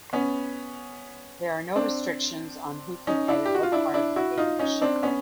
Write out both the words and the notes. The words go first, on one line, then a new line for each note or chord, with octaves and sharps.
There are no restrictions on who can edit what part of the page.
B3 C#4
C4 D4
C#4 D#4
D4 E4
G4
F#4
F4
D4 E4
D4 E4
E4 F#4
D#4 F4
C#4 D#4
C4 D4
B3 C#4